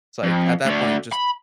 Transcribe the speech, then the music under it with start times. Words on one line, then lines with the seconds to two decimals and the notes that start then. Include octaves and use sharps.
It's like, at that point, just
0.23 F2
0.65 D2 D3
1.12 B5